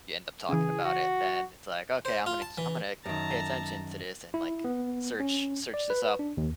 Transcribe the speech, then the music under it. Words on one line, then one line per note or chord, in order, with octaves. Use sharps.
you end up talking about it, then it's like, "Okay, I'm gonna k I'm gonna pay attention to this," and, like, search search this up
C#3 E3 G#4
F#4
C5
F4
A5
E3
F#2 D#3 A5 A#5
E4
B3
C#4
D5
B4
D4
D#2